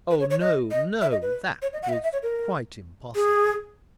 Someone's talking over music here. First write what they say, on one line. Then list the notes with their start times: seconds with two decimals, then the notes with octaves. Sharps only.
Oh, no, no; that was quite impossible.
0.10 B4
0.20 C#5
0.30 C#5
0.41 D#5
0.71 D#5
1.01 E5
1.11 D#5
1.22 B4
1.62 C#5
1.73 D#5
1.82 F#5
1.89 E5
1.93 D#5
2.03 E5
2.13 C#5
2.23 A#4
3.15 G#4